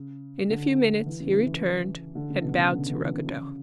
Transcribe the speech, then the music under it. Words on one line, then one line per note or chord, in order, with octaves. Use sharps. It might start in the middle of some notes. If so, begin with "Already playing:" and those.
In a few minutes he returned and bowed to Ruggedo.
Already playing: C#3
D3
E3
C#3
E3
E3
D3
C#3
B2
C#3
D3
E3
D3
C#3